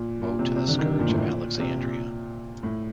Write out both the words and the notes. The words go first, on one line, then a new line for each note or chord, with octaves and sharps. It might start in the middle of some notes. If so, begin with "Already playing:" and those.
Woe to the scourge of Alexandria!
Already playing: A#2
A#2
C3
C3
D3
D#3
A#2
A2
A#2
C3
A#2
A2